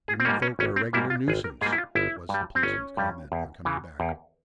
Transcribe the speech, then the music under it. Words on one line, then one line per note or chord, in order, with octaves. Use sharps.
"Women folks are a regular nuisance," was the policeman's comment, on coming back.
G#4
C4
G#2 G3 A#3 C#4
C#4
G#1 C#4
C4
G#2 G3 A#3 E4
F4
G#1 G#4
A#4
G#2 G3 A#3 G#4
E4
F4
G1 E4
G2 G3
C4
G1 C#4
G2 G3
E2
C#3 E3
E2